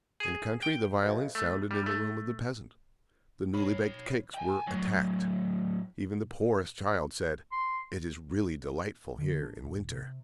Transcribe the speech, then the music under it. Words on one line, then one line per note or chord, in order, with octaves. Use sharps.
In the country the violin sounded in the room of the peasant; the newly-baked cakes were attacked; even the poorest child said, "It is really delightful here in winter!"
G#4
G5
B1
A3
G3
A3
C#5 B5
G5 G#5
A2 F#3
C6
D3
D4
D#1
C3